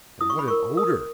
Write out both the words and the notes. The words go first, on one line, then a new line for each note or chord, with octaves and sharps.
And what an odour!
E4 D#6
C#6
B5
A#4 C#6
A#4 D#6